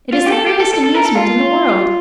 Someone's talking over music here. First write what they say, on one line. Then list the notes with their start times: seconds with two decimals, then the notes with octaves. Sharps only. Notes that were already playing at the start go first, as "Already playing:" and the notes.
It is the greatest amusement in the world!
0.13 F4
0.26 G4
0.32 A4
0.47 G4
0.60 A4
0.74 A4
0.84 A4
0.94 A#4
1.05 A4
1.15 F4